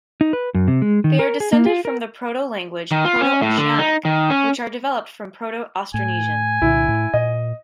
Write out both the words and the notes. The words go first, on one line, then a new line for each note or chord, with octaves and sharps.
They are descended from the protolanguage Proto-Oceanic, which are developed from Proto-Austronesian.
D#4
B4
F#2
C3
G#3
D#3
A#4
G#4
A#3
F4
A#4
D#3
F4
C#4
A2
D3
D#4
D#3
C#4
A2 G#5
C2 A#2 D3 E4
A2
A#2 D#5